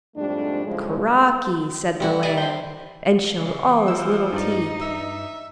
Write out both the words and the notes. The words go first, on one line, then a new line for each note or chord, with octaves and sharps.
'Crocky,' said the Lamb, and showed all his little teeth.
F2 G#2 G3 A3 D4
A2 C#3 F3 G3 G#3
A1 G3 F#4
E4 D5 D#5
C5 G5
C#3 E3
F3 E6
G2 D#4 D5
E5